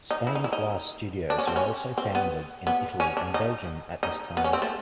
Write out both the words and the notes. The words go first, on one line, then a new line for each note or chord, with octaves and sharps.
Stained glass studios were also founded in Italy and Belgium at this time.
D#4
E4
D#4
E4
D#4
D4
C#4
C4
C#4
C4
B3
B3
C#4
D4
D#4
D#4
B3
C#4
C4
A3